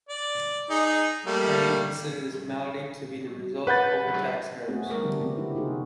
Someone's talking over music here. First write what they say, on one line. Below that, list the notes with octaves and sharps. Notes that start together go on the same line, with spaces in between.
Cheyne considered this malady to be the result of over-taxed nerves.
D5
D#4 G#4
G3 A3 A#3
B4 F#5 G6 A6
A3 B3 C4 F#4 G#4
A3 A#4
D3 F3 D4 G4
C#3 F3 G#3 B3 C4 D4
F3 F#3 G#3 E4 G4
C3 G#3 D#4 F4 F#4 G#4